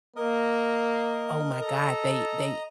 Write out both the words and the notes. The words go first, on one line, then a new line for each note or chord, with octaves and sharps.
oh my god, they they
A#3 A#4 D#5
A4 D#5 A#5